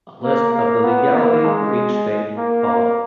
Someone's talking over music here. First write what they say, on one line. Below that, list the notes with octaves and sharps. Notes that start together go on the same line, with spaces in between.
A list of the legality for each state follows.
A#3
A#3
B3
A#3
G#3
A#3
A#3